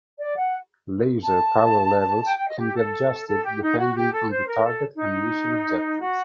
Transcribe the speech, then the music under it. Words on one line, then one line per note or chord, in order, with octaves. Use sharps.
Laser power levels can be adjusted depending on the target and mission objectives.
D5
F#5
A5
G5
G5
D#5
G4
A4
A4
G4
D#4
F#4
G4
A4
C5
A#4
A4
D#4
F#4